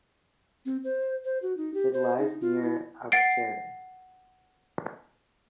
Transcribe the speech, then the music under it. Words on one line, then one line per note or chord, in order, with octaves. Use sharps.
It lies near Auxerre.
C4
C5
C5
F#4
D#4
G4
C5
D#4
F4
E4
F#5 A6 C7 D7